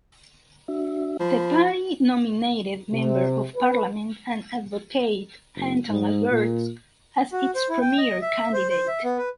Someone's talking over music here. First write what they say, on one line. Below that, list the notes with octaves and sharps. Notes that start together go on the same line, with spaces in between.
The party nominated Member of Parliament and advocate Anton Alberts as its premier candidate.
D4 F#4 E5
F3 B5
C3
B4
F#1
G#2
A#2
F#4
C5
E4
G5
D#5
E5
C5
C5
E5
B3
B4